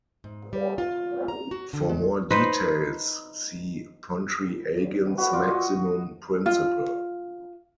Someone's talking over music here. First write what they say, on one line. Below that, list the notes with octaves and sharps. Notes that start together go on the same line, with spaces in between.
For more details see Pontryagin's maximum principle.
G#2
G3
F4
A#5
F#4
D3
G#3
D#4 B4 C5
F#4 B4
F4 D5
F#4 D#5
F4